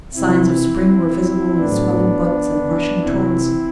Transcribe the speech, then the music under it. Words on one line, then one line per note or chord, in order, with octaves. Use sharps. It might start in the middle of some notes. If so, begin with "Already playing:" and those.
Signs of spring were visible in the swelling buds and rushing torrents.
C3 E3 C4 E4
A2 F#3 B3 D4
C3 E3 C4 E4